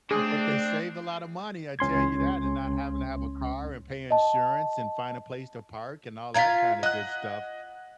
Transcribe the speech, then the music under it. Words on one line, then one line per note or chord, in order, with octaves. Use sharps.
But they saved a lotta money, I tell you that, and not having to have a car, and pay insurance, and find a place to park, and all that kinda good stuff,
A3 C4 D4 G#4
C#2 C#4 C6 G#6
D#5 A5
F4 F5 A#5 G#6 B6
D#5 F#5 F#6